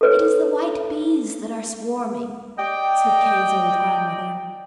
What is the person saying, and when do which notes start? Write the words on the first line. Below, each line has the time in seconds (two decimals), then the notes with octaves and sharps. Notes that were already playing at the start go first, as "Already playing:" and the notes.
"It is the white bees that are swarming," said Kay's old grandmother.
0.01 A4 B4 C#5
2.58 D5 D#5 G5